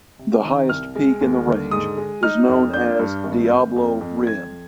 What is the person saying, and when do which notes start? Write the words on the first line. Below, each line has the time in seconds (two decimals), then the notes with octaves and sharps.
The highest peak in the range is known as Diablo Rim.
0.19 C3
0.44 D#3
0.69 C2 F6
0.96 G#3
1.21 D#2
1.47 D3
1.71 G#2 D#6
1.97 G#3
2.23 D#4 F6
2.48 F2
2.74 D4 G6
2.99 G2
3.24 G#1
3.50 G#1
3.76 F2
4.01 F2
4.27 F2 G#6